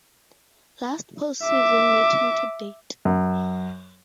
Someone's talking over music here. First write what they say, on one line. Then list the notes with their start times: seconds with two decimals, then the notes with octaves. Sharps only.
Last postseason meeting to date.
1.44 E5 D6
3.05 F#2